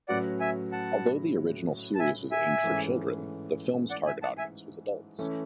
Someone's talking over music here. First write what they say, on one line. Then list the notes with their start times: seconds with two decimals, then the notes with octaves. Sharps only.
Although the original series was aimed for children, the film's target audience was adults.
0.08 A2 F#3 C#4 F#4 B4 D5 F#5
0.40 E5 G#5
0.72 F#5 A5
1.95 A5
2.00 E5 G#5
2.31 E5 G#5
2.63 G#2 E3 A3 C#4 G#4
3.90 D5 F#5
4.06 E5 G#5
4.22 F#5 A5
4.38 E5 G#5
5.19 E3 A3 C#4